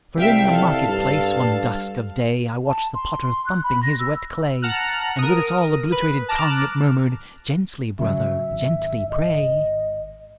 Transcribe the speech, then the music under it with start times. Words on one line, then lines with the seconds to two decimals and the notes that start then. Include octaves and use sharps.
For in the Market-place, one Dusk of Day, I watch'd the Potter thumping his wet Clay: And with its all obliterated Tongue It murmur'd--"Gently, Brother, gently, pray!"
0.17 C2 E5 F5 G5
0.48 A4 F5
0.89 G2
2.65 A5
2.95 C6
3.23 C6
3.46 F#6
3.64 B5
3.83 A#6
3.99 E6
4.62 F#5 A5 A#5 F6 F#6
5.19 A#4 D#6
5.92 B4
6.29 A5 A#5 D6 F6 F#6
7.99 C#3 F#3 E5
8.51 G#1
9.09 D#5